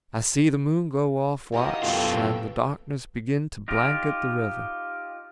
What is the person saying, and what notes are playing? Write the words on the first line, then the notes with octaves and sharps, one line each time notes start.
I see the moon go off watch, and the darkness begin to blanket the river.
D#3 E4 F#4 G4 D#5 F5 D#6
F#2 B2 B3 F4 A4 G5
D#4 F4 G4